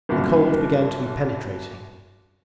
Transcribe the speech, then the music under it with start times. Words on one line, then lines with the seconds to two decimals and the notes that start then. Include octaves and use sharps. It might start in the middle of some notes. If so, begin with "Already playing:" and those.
The cold began to be penetrating.
0.09 G1 C2 F#2 A#2